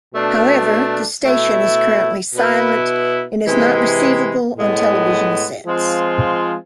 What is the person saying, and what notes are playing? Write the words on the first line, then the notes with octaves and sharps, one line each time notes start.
However, the station is currently silent, and is not receivable on television sets.
B2 A3 D4
B2 A3 E4
B2 B3 E4
C3 E3 G#3
A2 G#3 B3
F3 G#3 C4 F4